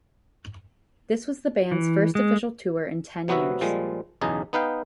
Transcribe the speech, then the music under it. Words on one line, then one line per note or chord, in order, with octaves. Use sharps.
This was the band's first official tour in ten years.
E3
G#3
C3 F#3 B3 F#4 B4 E5
A#2 F3 G3 G#3
B1 E2 C#3 D#4 G#4
B3 D#4 B4 F5 G5